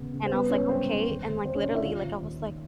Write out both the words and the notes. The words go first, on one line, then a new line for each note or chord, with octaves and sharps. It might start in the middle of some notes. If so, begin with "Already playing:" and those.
and I was like “Okay,” and, like literally, like I was, like,
Already playing: D#2 C#3 A#3 B3
C#3
C5
G3 B3 B4
G#2 C#4 C#5
G3 C4 C5
E3
D#2
D#2
D#2 C4 C5
C#4 C#5
C4 D4 D5
E4 E5
D#2 F4 F5
D#2
D#2
D#3